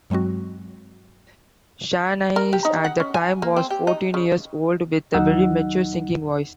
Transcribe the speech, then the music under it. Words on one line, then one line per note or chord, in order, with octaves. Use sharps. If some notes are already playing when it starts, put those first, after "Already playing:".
Shanice at the time was fourteen years old with a very mature singing voice.
G2 F#3 G#3 C4 F#4
A#4
G4
D#4
F#5
C#4
G#5
A#3
C4
G4
D#4
C#3
D#2 F#3 D#4 F#5 E6